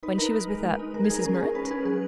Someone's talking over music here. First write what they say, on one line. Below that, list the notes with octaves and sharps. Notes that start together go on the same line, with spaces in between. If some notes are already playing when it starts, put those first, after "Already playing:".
"When she was with a Mrs. Murrett?"
D#4 B4
D#4 A#4
D#4
G#3
G#3
D#4
G#3 A#4
G#4
D#4 A#4
C#4 A#4
G#4
C#4 A#4
C#4 B4
C#4 G#4
F#3 G#4